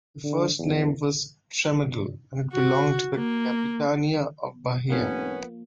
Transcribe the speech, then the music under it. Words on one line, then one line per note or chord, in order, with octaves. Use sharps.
The first name was Tremedal and it belonged to the capitania of Bahia.
D3
E2
F#4
A#3
F1 A2 F3 G3 A#3 B3 C#4